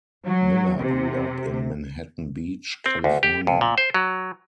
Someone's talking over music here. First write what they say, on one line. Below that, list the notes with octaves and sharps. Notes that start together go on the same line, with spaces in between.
Miller grew up in Manhattan Beach, California.
F#3
C3
C4
D2
G4
F2
A#2
C5
F#3